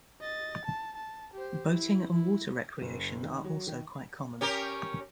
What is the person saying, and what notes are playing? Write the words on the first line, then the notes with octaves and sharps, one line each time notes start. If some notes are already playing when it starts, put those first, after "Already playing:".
Boating and water recreation are also quite common.
D#5 A6
A5
A5
G4 C5
E4
E4
F#1
D#3
F#3
D#3
C#4 G4 A#4